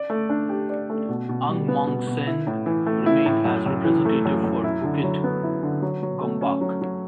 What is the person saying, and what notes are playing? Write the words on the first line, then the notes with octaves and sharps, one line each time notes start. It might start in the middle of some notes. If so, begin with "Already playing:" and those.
Ang Mong Seng remained as representative for Bukit Gombak.
Already playing: D5
A3
D4
G4
D5
A3
B2
B2
G3
B3
B2
B2
E4
A2
E3
A3
E4
A2
F#2
F#2
E3
A3
F#2
F#2
E4
D3
F#3
B3
E4
D3
F#3
F#3
A3
C#4
F#3
F#3